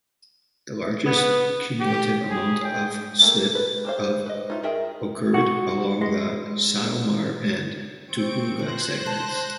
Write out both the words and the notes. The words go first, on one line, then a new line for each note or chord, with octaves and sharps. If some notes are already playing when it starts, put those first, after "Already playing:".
The largest cumulative amount of slip of occurred along the Sylmar and Tujunga segments.
B3
G4
G#4
G5
A3 A#3 F4 A4
B4
G4 C5 F5
B4 D#5
D#4 F4 E5
G#4 A#4 D#5 E5 G5
F#4
G#3
C4 C#6 D7
F3 C5 F#6 A#6
A5